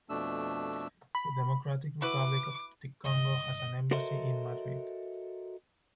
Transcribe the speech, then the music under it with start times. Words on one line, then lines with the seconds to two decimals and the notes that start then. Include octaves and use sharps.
The Democratic Republic of the Congo has an embassy in Madrid.
0.10 F2 B2 A3 D4 E6
1.15 B5
2.02 E4 F#4 B4 D6
3.05 G1 G#2 D3 D#5
3.91 F#4 A4 A#4 C5 D#5 E5